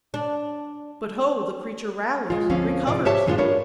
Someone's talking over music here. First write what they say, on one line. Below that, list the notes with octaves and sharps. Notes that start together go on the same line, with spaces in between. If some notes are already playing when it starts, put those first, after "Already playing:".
But ho! the creature rallies--recovers!
D4
G#3 F4
D2 F3 C4 C#4 F5
G#2 C3 D#3 F3 F4 D5
G4 C5 C#5 E5 A5
F#2 A2 G#3 C#4 D4 F4
D4 A#4 B4 C#5